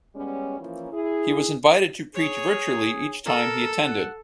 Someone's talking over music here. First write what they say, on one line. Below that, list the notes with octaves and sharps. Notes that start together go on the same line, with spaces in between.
He was invited to preach virtually each time he attended.
G3 G#3 B3 C#4
E3 F3 A#3 C#4 E4 A#4
E4 G#4
G#4 C#5
A4 A#4
F#5